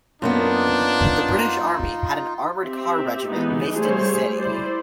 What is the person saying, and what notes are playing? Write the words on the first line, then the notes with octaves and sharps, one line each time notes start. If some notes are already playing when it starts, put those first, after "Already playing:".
The British Army had an armored car regiment based in the city.
F#2 A#3 B3 D4 D#4 F4
C4 G4 E5
E3 G#3 B3 D#4
G3 A3 G#4 C5 C#5
E4 C5 D5